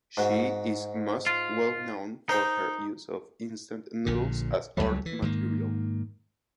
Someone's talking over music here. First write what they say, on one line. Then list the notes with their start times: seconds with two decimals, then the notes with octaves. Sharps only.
She is most well known for her use of instant noodles as art material.
0.17 G#2 F#4
1.27 F4
2.29 D#4 A#4 C5 G5
4.06 A#1 A#2 D3
4.77 C#2 F#2 F#3 G3
5.06 E3
5.22 G#2 D#3 A#3